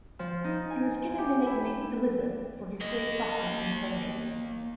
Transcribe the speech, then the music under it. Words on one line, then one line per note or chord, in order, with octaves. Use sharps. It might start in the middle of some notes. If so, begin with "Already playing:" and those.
He was given the nickname The Wizard for his great passing and playmaking.
F3
D#4
G#5
G4
E4
A#3 D#5